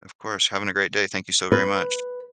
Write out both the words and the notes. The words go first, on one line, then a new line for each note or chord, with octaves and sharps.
Of course having a great day thank you so very much.
B4